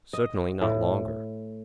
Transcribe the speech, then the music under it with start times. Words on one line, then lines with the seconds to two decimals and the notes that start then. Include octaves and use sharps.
"Certainly not longer."
0.13 D#5
0.62 A2